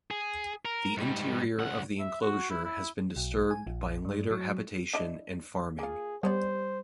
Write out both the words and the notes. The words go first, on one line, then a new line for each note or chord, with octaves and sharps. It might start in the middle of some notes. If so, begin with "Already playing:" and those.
The interior of the enclosure has been disturbed by later habitation and farming.
G#4
A#4
G#2 G3
C#2 F#5
E5
F#4
E4
E4
B1
G#5
A#1
G2
F#3
D4 E4 D#5
A#3 F4 G#4
G3 B3 C#4 C5 D5